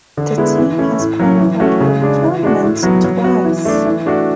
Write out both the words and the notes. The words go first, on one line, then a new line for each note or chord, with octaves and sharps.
The team has qualified for a tournament twice.
D3
G#3 B3 E4
E3
A3 C#4 E4
A2
F#3 C#4
E3
A3 C#4 F#4
C#3
G#3 D4
E3
G#3 D4 F#4
A2
F#3 B3 F#4
F#3
B3 F#4
E3
A3 D4
E3
A3 D4 F#4